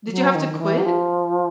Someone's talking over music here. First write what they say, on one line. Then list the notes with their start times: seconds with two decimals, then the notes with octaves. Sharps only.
Did you have to quit?
0.06 F3
0.11 F#3
0.34 D#3
0.52 D#3
0.58 E3
0.77 F#3
0.83 F3